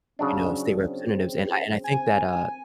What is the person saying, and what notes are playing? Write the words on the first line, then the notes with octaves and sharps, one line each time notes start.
you know, state representatives and I and I think that, uh,
C#3 F#3 C4 D4
G#5